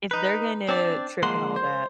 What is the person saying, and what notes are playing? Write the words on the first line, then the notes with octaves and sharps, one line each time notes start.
if they're gonna trip and all that,
D#4 B4
C4 D4 D5
F3 G#3 A#3 F#5 C6
C5